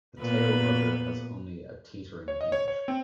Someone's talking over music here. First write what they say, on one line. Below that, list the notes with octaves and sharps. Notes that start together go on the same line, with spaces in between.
The tail rotor has only a teetering hinge.
A#2 B3 B4
C#5
D#5
C#5
C#5
C4